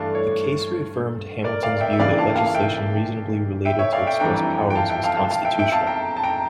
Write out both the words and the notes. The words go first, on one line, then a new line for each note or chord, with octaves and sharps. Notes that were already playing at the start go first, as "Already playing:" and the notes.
The case reaffirmed Hamilton's view that legislation reasonably related to express powers was constitutional.
Already playing: G2 E3 A3 D4 F5 A5
C#5
A#4 D5
D5 F5
E5 G5
E5
C#3 E3 A#3 D4 D5 F5
F5 A5
F5 A5
F5
E5 G5
E5 G5
C#5 E5
D5 F5
E5 G5
F2 E3 G3 D4 G5 A#5
G5
F5 A5
E5 G5
F5 A5
F5 A5
F5 A5
E5 G5
E5 G5
F5 A5
G5 A#5
A5
G5 A#5